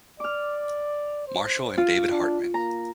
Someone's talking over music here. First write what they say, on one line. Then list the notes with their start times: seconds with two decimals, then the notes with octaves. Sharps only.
Marshall and David Hartman.
0.20 D5 D6 F6
1.27 C5
1.78 F4
2.12 D4
2.54 A#3 A#5